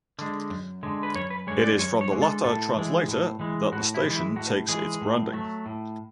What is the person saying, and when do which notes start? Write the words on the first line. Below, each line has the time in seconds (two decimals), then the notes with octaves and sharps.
It is from the latter translator that the station takes its branding.
0.19 D3 G#3
0.50 F#2
0.83 D3 G#3
1.03 B4
1.15 F#2 C#5
1.30 B4
1.47 D3 G#3 C#5
1.64 D5
1.79 F#2 C#5
2.01 C#5
2.12 D3 G#3
2.22 A4
2.44 A2 A4
2.76 E3 G#3
3.08 A2
3.40 E3 G#3
3.72 A2 F#4
3.94 E4
4.05 E3 G#3
4.16 E4
4.36 A2 F#4
4.69 E3 G#3 G#4
5.02 A2
5.33 F#3 A3
5.66 A2